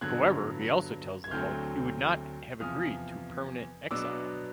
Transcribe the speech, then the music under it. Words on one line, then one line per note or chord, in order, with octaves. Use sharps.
However, he also tells the Hulk he would not have agreed to permanent exile.
G2 D3 F#3 B3 F#6 G#6
G#6
D2 D3 F#3 A3 C4 F6 G6
E2 C3 F3 D#6 F6
B2 F#3 B3 D4 D6 E6